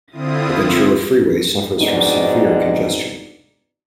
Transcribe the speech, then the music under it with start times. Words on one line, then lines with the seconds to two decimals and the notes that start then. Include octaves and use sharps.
The Ventura Freeway suffers from severe congestion.
0.11 D3 C4 E4 F4 D#6
1.77 F2 G#2 B2 D4 D#4